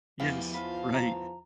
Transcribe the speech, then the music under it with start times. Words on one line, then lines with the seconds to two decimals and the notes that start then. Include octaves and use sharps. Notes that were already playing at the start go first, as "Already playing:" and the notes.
Yes, right.
0.20 E2 F3 G4 F5
0.54 F3 F4 B4 F5
0.94 A#5